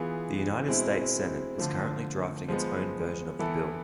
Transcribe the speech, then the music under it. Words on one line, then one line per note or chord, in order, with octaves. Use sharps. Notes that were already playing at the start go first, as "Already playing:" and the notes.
The United States Senate is currently drafting its own version of the bill.
Already playing: E3 B3 F4 G#4
B2 G#3 C4 E4
D3 F3 A3
F3 G#3 B3
E3 B3 E4 A4